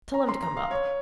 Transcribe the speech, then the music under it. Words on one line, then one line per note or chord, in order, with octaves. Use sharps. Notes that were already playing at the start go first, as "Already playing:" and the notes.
Tell him to come up.
A#5
C6
A#5
F5
C#5